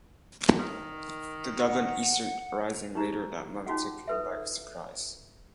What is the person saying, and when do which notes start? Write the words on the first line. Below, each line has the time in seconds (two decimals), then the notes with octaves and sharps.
The Dublin Easter Rising later that month took him by surprise.
0.58 D#3
1.59 F#5
2.95 D#4 G4 A#5
3.66 C#4 D#4 F4 F#4 G#4 F#5
4.08 A4 B4 E5